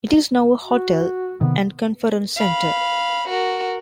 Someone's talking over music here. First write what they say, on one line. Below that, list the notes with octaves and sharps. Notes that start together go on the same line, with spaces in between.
It is now a hotel and conference centre.
F#4
C3 D#3 B3
F5 B5
F#4 A#4